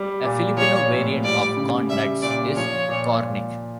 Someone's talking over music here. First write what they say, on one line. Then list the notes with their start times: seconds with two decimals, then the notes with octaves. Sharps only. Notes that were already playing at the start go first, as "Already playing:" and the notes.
A Filipino variant of corn nuts is "cornick".
Already playing: G3
0.24 A#2
0.57 F3 C#5
0.91 A2
1.24 G3 D5
1.57 C#3
1.89 G3 E5
2.22 A#2 D5
2.56 F3 C#5
2.89 A#2